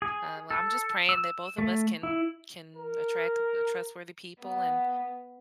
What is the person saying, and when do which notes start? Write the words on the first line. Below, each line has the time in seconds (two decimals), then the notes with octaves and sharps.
Um, I'm just praying that both of us can can attract w trustworthy people and
0.02 G#4
0.51 A4
1.09 E6
1.58 A3
2.03 E4
2.76 A#4
4.42 B3